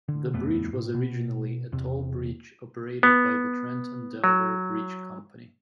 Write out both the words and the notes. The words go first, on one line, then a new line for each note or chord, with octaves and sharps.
The bridge was originally a toll bridge operated by the Trenton Delaware Bridge Company.
D3
D#1 F2 A3 B3
A2
B2
E2 C3
B3
F#3